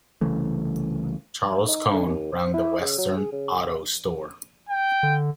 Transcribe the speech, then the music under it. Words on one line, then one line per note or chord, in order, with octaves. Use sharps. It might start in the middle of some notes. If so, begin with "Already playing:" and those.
Charles Cone ran the Western Auto Store.
C2 C#3 E3 A3
D#4
D3
D#2
C5
E4
C#3
F#3
G#4
C#3
G5
D3